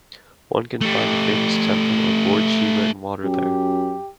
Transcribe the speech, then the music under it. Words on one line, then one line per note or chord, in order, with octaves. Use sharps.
One can find a famous temple of Lord Shiva in Water there.
A3 G4
F#2 G4